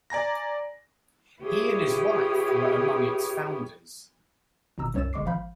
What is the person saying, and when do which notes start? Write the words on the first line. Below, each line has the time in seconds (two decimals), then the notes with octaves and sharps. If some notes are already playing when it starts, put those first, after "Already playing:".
He and his wife were among its founders.
0.10 D5 G#5 A#5 A#6
1.42 E4 F4 G4 G#4 B4 C#5
4.78 G#1 B2 A#5 E6
4.94 C2 F#2 C#5 E6 A6 E7
5.13 G1 G#3 C#6 D6 C7
5.25 G#1 F3 F5 B5 G6